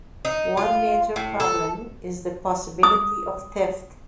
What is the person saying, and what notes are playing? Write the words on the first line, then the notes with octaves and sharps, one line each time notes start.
One major problem is the possibility of theft.
D#4
F4
A2
A4
D#6